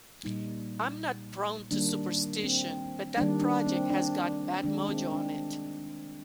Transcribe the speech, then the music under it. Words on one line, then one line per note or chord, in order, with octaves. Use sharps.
I'm not prone to superstition, but that project has got bad mojo on it.
A#2 G3 A#3 D#4
D#3 G3 A#3 D4
C4
D#3 G3 A#3 D4
D4
C4
D4
D#3 G#3 D4
C4
D4